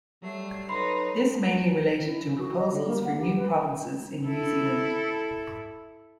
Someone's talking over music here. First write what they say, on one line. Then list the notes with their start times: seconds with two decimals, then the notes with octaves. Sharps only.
This mainly related to proposals for new provinces in New Zealand.
0.22 F#3 G3 A3 C7
0.69 D#4 A4 B4 C#5 B5 C6 C7
2.02 E4
2.24 C#3
2.37 F#4
2.58 D#5
2.71 D3
2.87 A#3
3.04 F#5
3.18 G4
3.36 B4
4.26 E4 A4